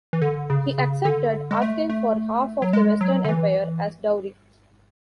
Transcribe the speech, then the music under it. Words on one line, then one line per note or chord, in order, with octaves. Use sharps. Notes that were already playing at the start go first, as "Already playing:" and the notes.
He accepted, asking for half of the western Empire as dowry.
E3
D3
C#3
C#3
D3
G#3
A3
A3
F#3
G#3
F#3
D3
E3